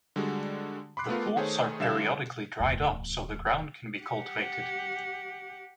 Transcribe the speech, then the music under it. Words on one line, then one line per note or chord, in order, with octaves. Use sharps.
The pools are periodically dried up so the ground can be cultivated.
D3 G3 G#3 F#4
B5 C6 D6 F#6 C7
A3 B3 F4 A#4
D#3 A3 G#4 C5 C#5
D3 G3 E5 F5 E7
D1 E2
G4 F#5